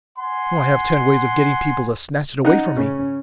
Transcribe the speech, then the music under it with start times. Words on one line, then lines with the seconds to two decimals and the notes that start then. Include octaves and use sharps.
I have ten ways of getting people to snatch it away from me.
0.17 F#5 G#5 C6
2.45 D#4 F#5
2.77 C#3 C#4